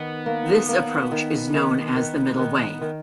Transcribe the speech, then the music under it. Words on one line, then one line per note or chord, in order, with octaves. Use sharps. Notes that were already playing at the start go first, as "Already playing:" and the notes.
This approach is known as the "Middle Way".
Already playing: D#3 B3
A#3
A#3
D#3
D#3
D#3
D#3
D#3